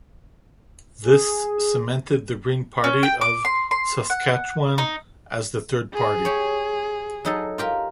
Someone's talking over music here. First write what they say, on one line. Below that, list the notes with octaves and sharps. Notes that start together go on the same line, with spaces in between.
This cemented the Green Party of Saskatchewan as the Third Party.
G#4
C#4
G5
D6
C6
C6
F#5
D#4
G#4
G4 C#5
F#3 D#4 A4
F4 G4 A#4